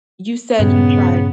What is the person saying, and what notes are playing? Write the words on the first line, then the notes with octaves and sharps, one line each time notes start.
you said you tried
G2 A#2 C#3 B3